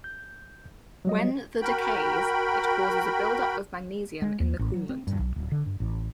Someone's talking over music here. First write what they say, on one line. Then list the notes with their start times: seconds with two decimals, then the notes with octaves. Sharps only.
When the decays, it causes a buildup of magnesium in the coolant.
0.04 G6
1.05 F#3 G3 D#5
1.62 F#4 A#4 G5 B5
4.22 G#3
4.40 D#2
4.59 A1
4.74 F#3
4.89 C4
5.07 G2
5.19 B1
5.36 D1
5.52 D3
5.66 G2
5.80 A1